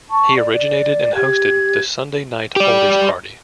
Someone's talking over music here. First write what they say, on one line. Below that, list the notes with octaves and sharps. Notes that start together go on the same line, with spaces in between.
He originated and hosted "The Sunday Night Oldies Party".
A5 C#6
D5
D5
G4 G#6
G4 D5